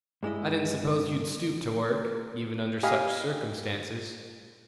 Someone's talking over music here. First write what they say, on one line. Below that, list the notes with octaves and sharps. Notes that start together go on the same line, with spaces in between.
I didn't suppose you'd stoop to work, even under such circumstances.
G2 G#3 E4 D#5
G4 D#5 F5 G#5 B5